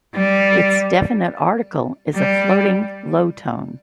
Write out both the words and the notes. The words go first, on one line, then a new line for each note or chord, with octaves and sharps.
Its definite article is a floating low tone.
G3
G3